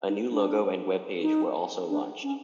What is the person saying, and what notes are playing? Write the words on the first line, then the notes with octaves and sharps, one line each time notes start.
A new logo and webpage were also launched.
D#4
D4
D#4
D4
C#4